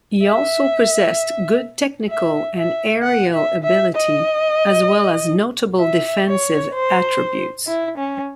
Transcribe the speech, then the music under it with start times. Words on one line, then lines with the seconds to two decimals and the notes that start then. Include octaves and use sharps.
He also possessed good technical and aerial ability, as well as notable defensive attributes.
0.23 E5
2.09 E5
2.56 E5
3.03 F#5
3.34 E5
3.63 E5
3.96 D#5
5.80 E5
6.28 C#5
6.74 C5
7.67 E4
7.98 C#4